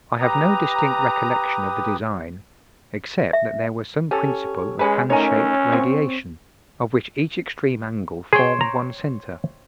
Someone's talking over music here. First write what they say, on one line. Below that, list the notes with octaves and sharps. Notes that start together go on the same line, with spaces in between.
I have no distinct recollection of the design, except that there was some principle of fan-shaped radiation, of which each extreme angle formed one centre.
G4 B4 A#5 D#6
E5
C#4 G4 A4
G#3 C#4 B4
A3 C#4 D#4 A#4 C#5 G#5
C#3 C4 C#6
G#4 C5 C#5 G5
A#5